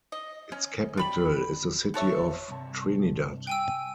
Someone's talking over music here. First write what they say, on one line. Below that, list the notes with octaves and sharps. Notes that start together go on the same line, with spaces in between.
Its capital is the city of Trinidad.
D#5
C#4
G3 B5
F#4 A4 C#5 E5
G2 C3 A5
G5 G#5 E6